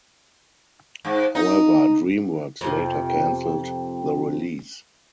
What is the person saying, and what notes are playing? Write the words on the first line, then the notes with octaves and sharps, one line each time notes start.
However, Dreamworks later canceled the release.
G#2
D#4
F2 C3